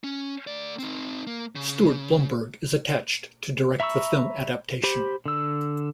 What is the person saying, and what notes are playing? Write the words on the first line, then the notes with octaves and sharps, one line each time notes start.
Stuart Blumberg is attached to direct the film adaptation.
C#4
A3 D5
C4 D#4
A#3
C#3
E5 A#5 B5 C#6 E6
G4 C5 B5
D3 E6